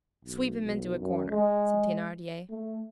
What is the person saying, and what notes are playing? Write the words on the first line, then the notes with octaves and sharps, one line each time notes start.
"Sweep him into a corner," said Thenardier.
B1
B1
F#2
G#3
A3